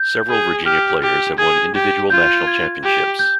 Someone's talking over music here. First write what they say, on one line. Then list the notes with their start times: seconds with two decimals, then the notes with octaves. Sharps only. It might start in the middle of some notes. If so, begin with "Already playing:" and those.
Several Virginia players have won individual national championships.
Already playing: G6
0.29 G#4
0.65 G4 F6
1.02 G4
1.38 G#4 G#6
1.74 G4
2.10 F4 G6
2.47 G#6
2.84 G4
3.19 G6